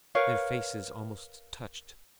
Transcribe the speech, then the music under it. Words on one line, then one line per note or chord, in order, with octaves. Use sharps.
Their faces almost touched.
A#4 B4 C#5 F5